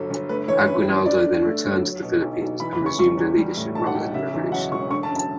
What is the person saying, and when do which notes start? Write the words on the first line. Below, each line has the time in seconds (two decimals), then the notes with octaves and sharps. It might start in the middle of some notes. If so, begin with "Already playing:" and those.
Aguinaldo then returned to the Philippines, and resumed a leadership role in the revolution.
Already playing: G1 G2 F#3 A4
0.10 G1
0.29 A3 B4
0.48 E3 C#5
0.67 F#2 B4
0.88 F#2
1.06 D3 D5
1.25 G2
1.45 A3
1.65 G1
1.83 F#3
2.03 B2
2.21 B1
2.41 B1
2.60 E3 B5
2.73 B5
2.80 C#3
2.86 C#6
2.98 G3 C#6
3.17 E2
3.38 G3
3.57 A2
3.75 B1 A5
3.87 F#5
3.95 B1 G5
4.14 C#3 E5
4.34 E2
4.52 F#3 F#5
4.72 E1 C#6
4.90 D3 C#6
5.03 A5
5.11 F#2
5.16 A5